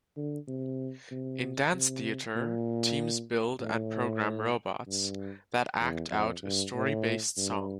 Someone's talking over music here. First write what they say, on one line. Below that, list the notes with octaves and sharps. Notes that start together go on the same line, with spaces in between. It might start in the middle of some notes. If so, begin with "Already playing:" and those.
In Dance Theatre, teams build and program robots that act out a story-based song.
D3
C3
C3
C3
A#2
A2
G2
E2
F2
G2
A2
G2